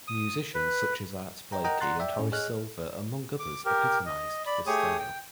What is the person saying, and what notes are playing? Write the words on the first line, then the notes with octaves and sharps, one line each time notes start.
Musicians such as Art Blakey and Horace Silver among others epitomised this style.
D#6
B4
C#5 D#5 G5 A#5
A#4 D#5 F#5 G5 A#5 D#6
D5 F#5 A#5 C6 F#6 A6
D5 E5 G5
A2 C#4 G#4
G#4 C#5 D#5 F6 F#6
D6
G4 A#4
D#5
D5 B5
A3 G4 G#4 C#5 D#6
G5